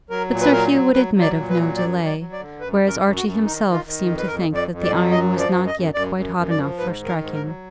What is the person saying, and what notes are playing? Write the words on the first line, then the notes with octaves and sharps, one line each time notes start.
But Sir Hugh would admit of no delay, whereas Archie himself seemed to think that the iron was not yet quite hot enough for striking.
F#3 A#4
A#2
B4
F#3 A#4
F#3
F#3 B4
F#3
D5
A#2
B4
F#3
F#2 D5
F#3
D5
F#3
D5
D3
F#2 B4
F#2
A#4
F#2
F#4
F#2
D#3 D#4
D#3
F4
D#3
F2
B4
F2 A#4
F2
D5
F2
D5
F#3
F#2 D#5
F3
D5
F#2
D#5
F#2
F#2 D5
F#2
F#2
D5
F3
G#2 B4
D#3
A#4
G#2
A#4
F#3